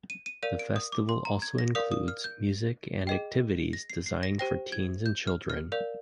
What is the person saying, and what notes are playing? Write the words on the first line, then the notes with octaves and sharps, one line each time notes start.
The Festival also includes music and activities designed for teens and children.
D#7
D#7
A#4 D5 F5 D#7
D7
D#6
D6
C6
A#5
G#6
A#6
A#4 D5 F5 D#6
D#6
F6
G6
G#4 D#5 G5
A#6
C7
C7
A#6
G4 C5 G5 A#6
G#6
G6
F6
F6
A#4 D5 F5